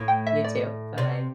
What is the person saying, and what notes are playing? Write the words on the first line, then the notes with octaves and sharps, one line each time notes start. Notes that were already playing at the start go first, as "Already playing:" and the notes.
You too, bye-bye.
Already playing: A2
G5
E5
D5
C3 D5